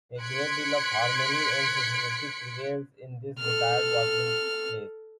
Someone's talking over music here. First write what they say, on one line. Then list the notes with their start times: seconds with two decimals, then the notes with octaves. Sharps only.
A great deal of harmony and sociability prevails in this retired watering place.
0.21 C6 F#6 G#6 B6 C#7 D7
3.39 A4 F6